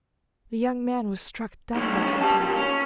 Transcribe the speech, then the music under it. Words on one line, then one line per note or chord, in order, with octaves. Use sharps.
The young man was struck dumb by her talk.
C2 A2
E3 C#4
G4 A5
A#2
C#4